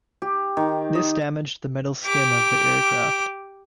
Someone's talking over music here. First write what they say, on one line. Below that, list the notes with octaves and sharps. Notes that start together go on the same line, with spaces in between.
This damaged the metal skin of the aircraft.
G4
D#3
D#5
G4 D6